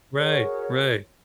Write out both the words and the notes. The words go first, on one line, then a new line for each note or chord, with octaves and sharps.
Right. Right.
F#4 G#4 A#4 C#5